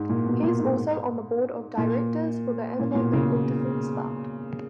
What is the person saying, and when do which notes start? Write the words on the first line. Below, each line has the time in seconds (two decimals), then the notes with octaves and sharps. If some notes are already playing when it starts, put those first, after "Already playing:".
He is also on the Board of Directors for the Animal Legal Defense Fund.
Already playing: G#2
0.10 A#2
0.26 B2
0.43 A#2
0.60 G#2
1.78 A#2
2.80 A#2
2.91 B2
2.95 A#2
3.13 C#3